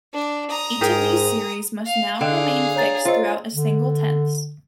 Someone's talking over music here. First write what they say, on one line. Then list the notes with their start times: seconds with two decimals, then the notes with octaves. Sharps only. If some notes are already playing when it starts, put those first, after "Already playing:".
Each of these series must now remain fixed throughout a single tense.
0.13 D4
0.50 A#5 D#6
0.81 G#2 G4 G#4 A#4
1.86 F5
2.21 D3 G#4 D#5 F5 G5
2.75 C#5 A#5 A6
3.05 F4 C5 D#5
3.54 D3